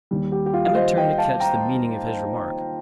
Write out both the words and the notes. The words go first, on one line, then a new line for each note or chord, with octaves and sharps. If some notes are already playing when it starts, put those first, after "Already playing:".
Emma turned to catch the meaning of his remark.
D#2 D#3 G3
G4
G4
F4
F5
C5 D#5
D#5 G5
F5 A5
G5 A#5